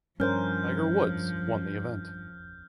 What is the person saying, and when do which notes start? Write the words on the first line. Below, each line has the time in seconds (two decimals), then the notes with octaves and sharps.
Tiger Woods won the event.
0.20 G2 F3 C#4 A#4 C5 F6 G6